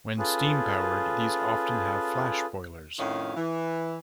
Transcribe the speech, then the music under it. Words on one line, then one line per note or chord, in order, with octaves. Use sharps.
When steam-powered, these often have flash boilers.
C#4 F4 G#4 A4 B4
F2 A2 D#3 C#4 F5
E3